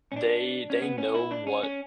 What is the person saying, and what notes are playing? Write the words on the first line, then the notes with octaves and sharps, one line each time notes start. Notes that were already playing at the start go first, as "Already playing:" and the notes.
they they know what
C#4
D4
C#4
B3
C#4
E4
D4
C#4
C#4